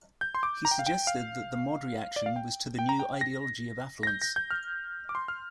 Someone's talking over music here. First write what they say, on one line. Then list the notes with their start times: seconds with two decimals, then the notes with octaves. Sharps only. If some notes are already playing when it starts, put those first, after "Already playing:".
He suggested that the Mod reaction was to the new ideology of affluence.
0.21 G6
0.35 C6
0.43 D6
0.65 A#5
0.71 G5
0.79 F5
0.87 G5
1.07 F5
2.16 D5
2.26 F5
2.36 G5
2.79 G5
2.89 A#5
3.00 G5
3.21 A#6
4.03 A#6
4.07 G6
4.22 A#6
4.36 G6
4.51 F6
5.09 D6
5.15 C6
5.28 F6